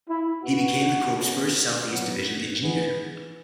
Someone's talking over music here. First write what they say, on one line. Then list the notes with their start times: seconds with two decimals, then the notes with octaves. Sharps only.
He became the Corps' first Southeast Division Engineer.
0.09 E4
0.43 B2 B3 F#4
1.15 C#3 G#3 B3
1.88 B2 F#3 B3
2.60 E3 G#3 B3